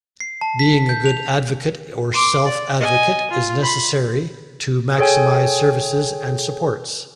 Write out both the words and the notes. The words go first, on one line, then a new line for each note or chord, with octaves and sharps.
Being a good advocate or self advocate is necessary to maximize services and supports.
C7
A5
B6
G6
F7
C6 D6
D5
D#5 G#5
F4
B5 C6
G#4 A4 C#5 G5 G#5